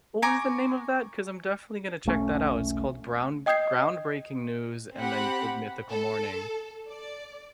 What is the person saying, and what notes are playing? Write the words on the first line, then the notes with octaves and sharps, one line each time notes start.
what was the name of that? 'Cause I'm definitely gonna check that out, it's called brown Groundbreaking News and then Good Mythical Morning.
G#5 A#5 C#6 D6
E1 B1 A3 C#4
D#5 G5 D#6 G6 G#6 C7
C4 G4 F#5 B5
A4
D5